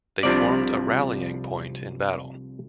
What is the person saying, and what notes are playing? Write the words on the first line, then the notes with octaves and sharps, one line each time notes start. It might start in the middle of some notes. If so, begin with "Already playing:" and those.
They formed a rallying point in battle.
C2 C3 F3 D4 D5